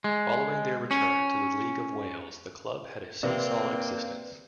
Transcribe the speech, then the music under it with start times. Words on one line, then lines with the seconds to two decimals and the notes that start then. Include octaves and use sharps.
Following their return to the League of Wales the club had a see-saw existence.
0.04 G#3
0.91 C#4
3.23 C3 A#3 C4 B4 D5